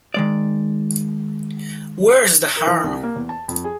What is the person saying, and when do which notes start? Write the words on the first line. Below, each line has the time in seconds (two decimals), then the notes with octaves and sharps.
Where's the harm?
0.14 D#3 G#3 D5
2.56 A#4
2.67 E3
2.84 C2
3.03 A#3
3.16 E2
3.29 A5
3.48 F2
3.64 G#4